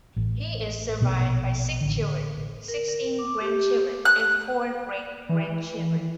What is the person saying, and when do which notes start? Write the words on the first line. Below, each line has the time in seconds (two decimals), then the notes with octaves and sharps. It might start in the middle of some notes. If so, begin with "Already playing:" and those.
He is survived by six children, sixteen grandchildren and four great grandchildren.
0.16 A1
1.00 A#1 B2 B3
1.81 A1 D3
2.68 A#4
2.88 A#4
3.19 D6
3.41 G4
4.05 F#6
5.29 E3